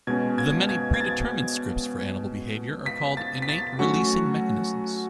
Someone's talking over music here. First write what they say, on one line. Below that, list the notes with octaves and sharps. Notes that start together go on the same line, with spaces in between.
The many predetermined scripts for animal behavior are called innate releasing mechanisms.
B2 G#3 C#4 G#6
G#6
G#6
G#6
A6
B6
A6
B6
A6
F#3 A3 C#4 F#4 C#6